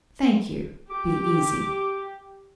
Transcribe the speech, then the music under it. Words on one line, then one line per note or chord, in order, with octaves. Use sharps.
Thank you; be easy.
G4 D6